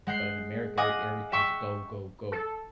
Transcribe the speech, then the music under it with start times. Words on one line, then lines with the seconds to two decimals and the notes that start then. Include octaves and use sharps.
But in America, er everything is a go, go, go.
0.07 G#3 F#5 G6 C7
0.77 D#5 F5 F#5 G#5 D6 D#6
1.32 E5 G5 C#6 E6
2.32 A4